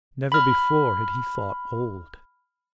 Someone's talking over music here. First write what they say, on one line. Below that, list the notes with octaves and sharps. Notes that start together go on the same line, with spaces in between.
Never before had he thought old.
B5 F6